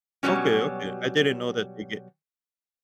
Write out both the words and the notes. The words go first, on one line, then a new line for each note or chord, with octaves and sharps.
Okay, okay. I didn't know that they get
B2 E3 F#3 G3 C#4